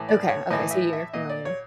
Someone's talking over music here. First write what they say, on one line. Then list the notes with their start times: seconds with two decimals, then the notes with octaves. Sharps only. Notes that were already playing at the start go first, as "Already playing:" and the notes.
Okay, okay, so you're familiar.
Already playing: A2 E3
0.09 D5
0.29 C#5
0.51 A2 E3 D#5
0.71 E5
0.93 E5
1.13 A#2 D#5
1.29 D5
1.45 C#5